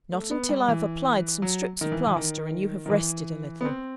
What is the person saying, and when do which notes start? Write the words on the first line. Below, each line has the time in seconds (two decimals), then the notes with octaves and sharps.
'Not until I have applied some strips of plaster; and you have rested a little.'
0.12 A3
0.31 B3
0.49 G3
0.68 E3
1.42 F#3
1.81 D#3
1.92 E3
2.07 E3
2.16 D#3
2.86 D#3
2.90 E3
3.61 B3
3.65 C4